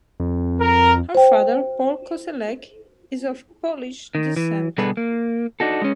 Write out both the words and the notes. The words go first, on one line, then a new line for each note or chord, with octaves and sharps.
Her father Paul Kosellek is of Polish descent.
F2
A#4
C5 G5
D#3
E3
B2 D3 G3 G#4 A4 B4
A#3
D4 D#4 F#4 A4
G#3 C#4